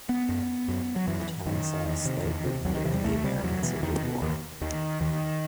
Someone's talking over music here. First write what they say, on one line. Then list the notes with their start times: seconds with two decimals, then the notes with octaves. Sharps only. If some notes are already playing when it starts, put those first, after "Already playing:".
The town saw a slight boom during the American Civil War.
0.09 B3
0.29 F#2
0.68 F#2
0.96 F#3
1.07 F#2 E3
1.46 F#2 D#3
1.86 E2
2.05 C3
2.25 E2
2.45 C3
2.65 C2 F#3
2.75 D#3
2.84 C3 E3
2.94 G3
3.04 C2 A3
3.24 C3 G3
3.43 E2 F#3
3.63 B2 E3
3.83 E2 D#3
4.03 B2
4.22 D#2
4.61 D#2 D#3
5.01 D#2 D#3